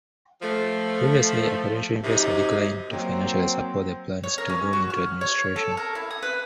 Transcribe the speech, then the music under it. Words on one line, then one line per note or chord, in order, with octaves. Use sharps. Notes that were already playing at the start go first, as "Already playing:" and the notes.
Previously, a potential investor declined to financially support the plans to go into administration.
F3 A3
F#2 C3 D#4
F#3 A#3 C4
C#5
A#4
C#4
F#4
F6
C#5
A4
A#4
E4
D#6
B4